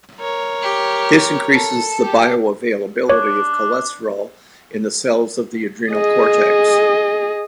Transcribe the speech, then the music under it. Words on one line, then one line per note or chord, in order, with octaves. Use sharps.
This increases the bioavailability of cholesterol in the cells of the adrenal cortex.
A#4 C#5
G4
A4
G4
D4 C#5
G#4 D#5